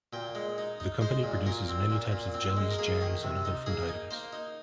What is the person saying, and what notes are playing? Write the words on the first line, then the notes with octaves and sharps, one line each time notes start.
The company produces many types of jellies, jams, and other food items.
A#2 G5
G#3
D#4
D#4
G#3 C5
A#2
A#2 A#4
C4
A#2
A#2
C4
G#3
A#4
A#3 G#4
D#3
C3
D#4
A#3 G#4
D#4
A#3 C5
D#4